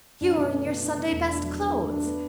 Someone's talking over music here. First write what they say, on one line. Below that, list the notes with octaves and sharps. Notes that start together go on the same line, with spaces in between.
You are in your Sunday-best clothes!'
F#2 D4
B2
A3
B2
D4
B2
E2 A3
D4
F#3
G2
A3
D4
B3